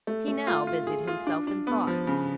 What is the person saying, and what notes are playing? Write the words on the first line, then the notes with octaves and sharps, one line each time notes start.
He now busied himself in thought.
A3
A3
F4
F4
G#4
F4
D4
D4
B3
F3
C#3